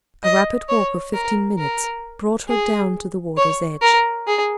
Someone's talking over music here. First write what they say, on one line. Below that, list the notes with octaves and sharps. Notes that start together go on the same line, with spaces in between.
A rapid walk of fifteen minutes brought her down to the water's edge.
D#5
C#5
A#4
A#4
G#4
C#5
A#4
G#4